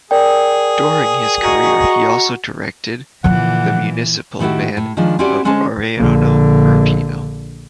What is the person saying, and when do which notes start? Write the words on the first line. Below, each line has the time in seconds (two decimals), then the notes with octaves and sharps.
During his career he also directed the municipal band of Ariano Irpino.
0.11 G#4 A#4 D5 G5
1.44 F#4 D#5 A#5 C#6
3.24 A#2 D3 E3 F3 F#5
4.40 A2 D#3 B3 E4 F#4 G4
4.77 A2
4.97 D#3 F3 G#3 D4
5.19 C4 C#4 E4 F#4 G4 D5
5.45 D3 G#3 C#4 G#4 C5 A5
5.98 A#1 D3